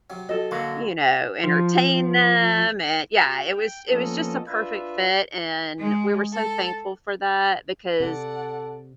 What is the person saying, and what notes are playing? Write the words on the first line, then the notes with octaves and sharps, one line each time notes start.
you know, entertain them, and yeah, it was, it was just a perfect fit and we were so thankful for that because
C3 F#3
F#4 A4 D#5
D3 F#3 A#3
F3
F#4
G5
F3 A#3 B3 C#4 A4 D#5
D4 F4 B4 E5
G#3
A4
C3 A4 D5 F#5